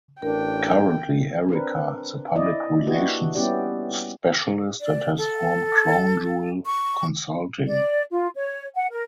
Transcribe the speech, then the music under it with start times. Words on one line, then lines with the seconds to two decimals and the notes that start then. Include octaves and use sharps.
Currently, Ericka is a Public Relations Specialist and has formed Crown Jewel Consulting.
0.22 A1 D4 A#4 G5
1.49 C4 D4 A#4 B4
2.35 E4 D5 D#5
2.87 A#3 D4 E4 F#4 G4 B4
3.35 G3 B3 C#4 E4 G4 D5
4.80 D5
5.17 A4
6.66 C#6
7.67 D5
8.11 F4
8.35 C#5
8.76 F#5
8.91 A#4